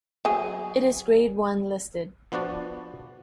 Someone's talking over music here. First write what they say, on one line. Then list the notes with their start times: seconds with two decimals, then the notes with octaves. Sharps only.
It is Grade One listed.
0.25 F#3 G#4
2.32 F3 B3 D4 F#4 D5